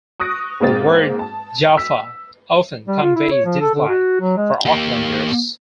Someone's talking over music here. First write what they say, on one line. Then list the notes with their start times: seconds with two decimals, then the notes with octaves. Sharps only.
The word Jafa often conveys dislike for Aucklanders.
0.20 C#6 D#6 F#6 A#6 D7
0.60 G#2 G#3 A#3 C4 A6
1.19 A5
1.77 E6 B6
2.87 G3
3.02 F4
3.15 E4
3.31 C#5
3.45 F3
3.61 A4
3.74 D3
3.89 F#4
4.21 F#3
4.37 G#3
4.66 A#3 G4